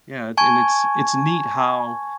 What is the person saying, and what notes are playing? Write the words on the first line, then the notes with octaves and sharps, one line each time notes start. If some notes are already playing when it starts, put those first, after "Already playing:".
Yeah, and it's it's neat how
G#5 A5 C#6 G#6